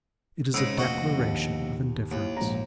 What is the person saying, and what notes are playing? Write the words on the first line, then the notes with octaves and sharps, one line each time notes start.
It is a declaration of indifference.
G#2 C#3 D#6 E6 A#6
F1 A#1 F#4 D#5 C#6
D#2
D#2 E4
A#1 G#2 A#5